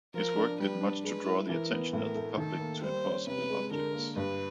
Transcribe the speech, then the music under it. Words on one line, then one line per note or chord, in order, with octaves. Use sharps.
His work did much to draw the attention of the public to impossible objects.
F3 A#4
D4
G3 B4
D4
G#3 B4
E4
E3 A#4
B3
A2 A#4
A3
D#3 A4
A#3
G3 C5
C#4
C3 B4
G#3
D3 A#4
A#3
G2 B4